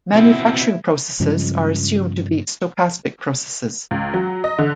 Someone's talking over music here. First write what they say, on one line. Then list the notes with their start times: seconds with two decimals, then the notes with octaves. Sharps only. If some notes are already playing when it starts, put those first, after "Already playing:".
Manufacturing processes are assumed to be stochastic processes.
0.14 B2 C4 E4
1.20 G2 C#3 F3 G#3
3.91 C#2
4.14 F#3
4.44 D#5
4.58 D3